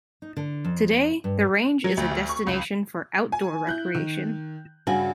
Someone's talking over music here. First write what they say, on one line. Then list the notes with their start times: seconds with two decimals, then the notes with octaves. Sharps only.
Today, the range is a destination for outdoor recreation.
0.22 D#4
0.37 D3
0.65 F2
1.24 G2
1.84 F#3
1.97 D2
2.11 D2
2.29 C#6
2.47 C#2
3.32 G#5
3.67 E4 F#6 G6
3.95 D#3
4.87 G2 C#3 F#4 G#5